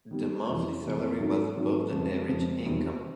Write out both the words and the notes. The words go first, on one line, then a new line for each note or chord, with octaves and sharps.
The monthly salary was above the average income.
D#3 G3 B3
F2 C3 E3
F2 C3 E3
G#2 D#3 F#3 A3 C#4
G#2 D#3 F#3 A3 C#4
F2 C#3 F3 G#3
F2 C#3 F3 G#3
E2 C3 D#3 G3 C4
C4